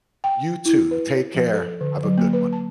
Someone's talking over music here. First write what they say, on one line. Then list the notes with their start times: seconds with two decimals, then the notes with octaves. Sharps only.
You too, take care, have a good one.
0.24 G5
0.66 E4
0.91 B4
1.15 C#5
1.35 F3
1.53 A4
1.81 D3
2.04 F#3
2.18 A#3
2.33 B4
2.53 A5